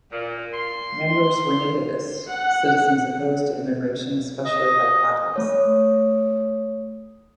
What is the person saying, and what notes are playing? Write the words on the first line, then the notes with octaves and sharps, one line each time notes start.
Members were Nativists, citizens opposed to immigration, especially by Catholics.
A#2
C6
F#5
D#5
A3 C#5 D#6